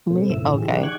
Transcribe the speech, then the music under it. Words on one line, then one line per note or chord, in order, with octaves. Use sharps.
Me Okay.
B2 A3 C4
G2 C#3 E4 E6
A2 D3 E3
E3 G4 G#4
D#4 D5 F#5
C#6 D6 F#6 G#6